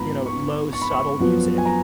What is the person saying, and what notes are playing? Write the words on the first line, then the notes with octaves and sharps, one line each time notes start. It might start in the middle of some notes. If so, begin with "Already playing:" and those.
you know, low subtle music.
Already playing: G#2 F3 B3 A#5 B5
C#6
C#6
B5
C#6
F#2 F3 B3
G#5
A#5